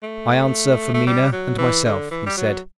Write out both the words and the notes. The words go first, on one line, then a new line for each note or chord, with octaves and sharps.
"I answer for Mina and myself," he said.
A3
A3
G3
F#3
E3
D3
E3
G3
F#3